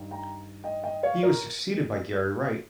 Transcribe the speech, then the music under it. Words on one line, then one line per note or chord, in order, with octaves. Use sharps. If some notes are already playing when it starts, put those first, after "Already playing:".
He was succeeded by Gary Wright.
Already playing: G2 D#3
G5 A#5
D#5 G5
D#5 G5
C#5 F5
A#4 C#5